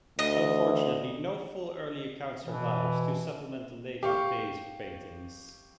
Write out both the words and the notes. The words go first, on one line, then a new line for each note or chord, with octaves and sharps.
Unfortunately no full early account survives, to supplement the later vase-paintings.
D2 D#5
B2 E3
G4 F5 C#6